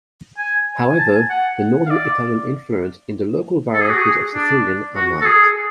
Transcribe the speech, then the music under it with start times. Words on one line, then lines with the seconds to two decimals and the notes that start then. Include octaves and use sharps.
However, the Northern Italian influence in the local varieties of Sicilian are marked.
0.38 G#5
0.90 G#5
0.99 A5
1.15 G#5
1.30 F#5
1.87 F5
1.90 D5
3.74 A4
3.82 G#4
3.90 F#4
3.98 G#4
4.35 D4
4.96 F#4
5.21 A4
5.26 G#4